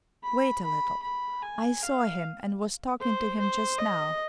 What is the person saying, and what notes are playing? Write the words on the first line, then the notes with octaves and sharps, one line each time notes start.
Wait a little: I saw him and was talking to him just now.
B5
B5
B5
G#5
F5
C5
C5
D#5